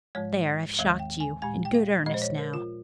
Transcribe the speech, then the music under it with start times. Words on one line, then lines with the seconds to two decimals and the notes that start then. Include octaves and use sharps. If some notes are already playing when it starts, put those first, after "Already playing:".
There, I've shocked you in good earnest now.
0.15 G#2 F3 G#3 C#5
0.79 D#2 D#3 G#3 F5
1.00 G5
1.20 G#5
1.42 A#2 G#3 G#5
1.65 G5
1.75 F5
2.06 A#2 F3 G#3 D#5
2.14 C5
2.22 C#5
2.38 A#4
2.54 F4